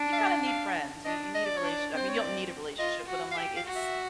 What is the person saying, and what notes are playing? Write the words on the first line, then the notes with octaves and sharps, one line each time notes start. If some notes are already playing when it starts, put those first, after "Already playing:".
"You kinda need friends. You you need a relatio" I mean, you don't need a relationship, but I'm like, "It's
Already playing: D4
F5
E5
F5
D4 D#5
D#5
D5
C#5
D4
D5
C4
C5
C#5
D5
F4 D#5
F#4
F5
G4 E5
F5
F#4
E5